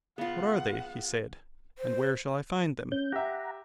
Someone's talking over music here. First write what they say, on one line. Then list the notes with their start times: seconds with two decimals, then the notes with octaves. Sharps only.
What are they, he said, and where shall I find them?
0.18 B3 F4 G#4 F5 F#5
1.78 C5
2.92 C#4 G6
3.12 G4 E5 F#5 A#5